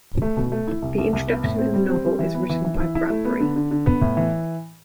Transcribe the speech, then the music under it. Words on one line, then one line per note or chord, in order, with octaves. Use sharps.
The introduction in the novel is written by Bradbury.
A3
B2
A3
E4
C2
C2
C2
B3
A2
C4
G3
C4
G3
E3
B3
E3
E3
E4
E4
A3
B3
D3
D3
D3
B3
A2
E3